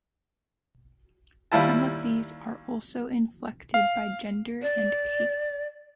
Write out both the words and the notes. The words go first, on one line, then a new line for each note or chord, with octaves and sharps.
Some of these are also inflected by gender and case.
D#2 G3 E4 F4 A5
F5
D5